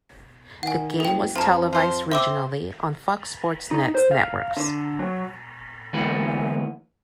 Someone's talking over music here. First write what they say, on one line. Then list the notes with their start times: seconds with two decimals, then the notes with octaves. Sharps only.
The game was televised regionally on Fox Sports Net networks.
0.63 D#3 F#5 G#5
1.00 F#1 A4 G5
1.36 F2 F3 A5 A#5
1.73 F3 C5
2.12 C4 E5 D6 E6
3.71 D#4
3.95 C5
4.11 F5
4.57 D3
4.99 F#3
5.93 D2 E3 G#3 A#3 B3 B5